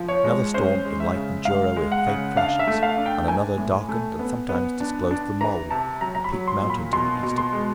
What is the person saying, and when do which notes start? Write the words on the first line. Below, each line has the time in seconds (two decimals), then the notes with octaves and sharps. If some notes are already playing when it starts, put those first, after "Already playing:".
Another storm enlightened Jura with faint flashes; and another darkened and sometimes disclosed the Mole, a peaked mountain to the east of the lake.
Already playing: F3
0.08 C#5
0.24 G#3
0.54 C#4 C5
0.85 G#3
1.00 E5
1.15 C#3
1.45 G#3 F5
1.76 G#3
1.92 F#5
2.07 C#3
2.36 D4 F5
2.59 E5
2.67 A3
2.83 F5
2.98 D4
3.06 G5
3.27 E3 G#5
3.58 A2
3.88 A3
4.19 B3
4.49 B3
4.80 D4
5.11 D4
5.41 E3 A#5
5.71 C3 A5
6.01 F#3 A#5
6.15 A#5
6.24 B5
6.32 F#3
6.47 C6
6.62 A#2
6.70 B5
6.93 B2 C6
7.23 B2
7.38 C6
7.53 G#3